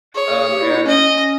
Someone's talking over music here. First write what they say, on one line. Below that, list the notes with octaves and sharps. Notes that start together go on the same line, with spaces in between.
Um, and
G#4 C#5
G#4
G#4
G4
E4
D#4
E4
C#4 D#5